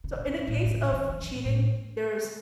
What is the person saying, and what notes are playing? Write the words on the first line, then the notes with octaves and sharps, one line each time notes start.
So, in the case of cheating, there's
C3
C#3
C3
C3
A2
C3
A2
C#3
D#3
E3
E3
A2
A2